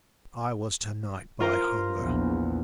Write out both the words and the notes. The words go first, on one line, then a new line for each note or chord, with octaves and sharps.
I was to-night, by hunger.
F4 A#4 C5
A#1 E2